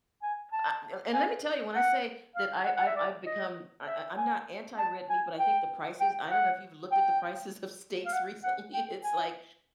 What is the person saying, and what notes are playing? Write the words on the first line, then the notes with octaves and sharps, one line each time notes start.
I and let me tell you, when I say that I've I've I've become I I I'm not anti red meat, but I think the prices I don't know if you've looked at the prices of steaks recently, it's like,
G#5
A5
G#5
F#5
F5
F#5
F#5
E5
D5
D#5
E5
G#5
A5
G#5
G5
G5
F#5
G5
F5
F#5
F#5
G5
G#5